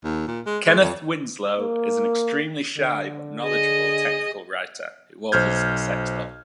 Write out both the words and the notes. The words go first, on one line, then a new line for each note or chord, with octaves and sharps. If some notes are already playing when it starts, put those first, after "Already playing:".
Kenneth Winslow is an extremely shy but knowledgeable technical writer who orders a sex-doll.
D#2
A#2
G#3
G#3
F2
A#3
D3
G#4 D#5
B1 C5 F6 G6 G#6